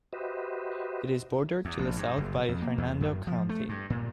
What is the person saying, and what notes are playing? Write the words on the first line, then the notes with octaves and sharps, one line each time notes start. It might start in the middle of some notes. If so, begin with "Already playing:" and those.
It is bordered to the south by Hernando County.
F#4 G4 B4 C5 D#5 E5
E2
A#1
G2
F#1
F2
A#3
E2
F#2
F3
A3
G2
A#2